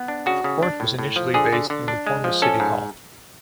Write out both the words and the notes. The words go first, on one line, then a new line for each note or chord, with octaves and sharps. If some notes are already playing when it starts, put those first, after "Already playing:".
The court was initially based in the former city hall.
Already playing: B3
D4
C#3 F#4
C#3
D4
A2
A2
F3
D3 G#4
D3
D3
D4
G#3
F3
C#4 A4
G#2